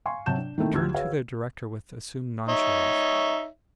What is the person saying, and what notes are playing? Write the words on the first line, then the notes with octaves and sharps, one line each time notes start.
He turned to the director with assumed nonchalance.
F5 G#5 C6 C#6
C3 F#3 A5 G6 E7
D4
D#3 E3 A3 C4
D2 F4 G4 E6 G#6
F#4 G#4 B4 C#5 F5
D#4 C#5 E5